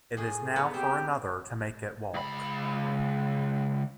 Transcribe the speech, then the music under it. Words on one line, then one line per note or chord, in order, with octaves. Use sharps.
It is now for another to make it walk.
A2 G#4
B3 A#5
C4 G4
C#2 B5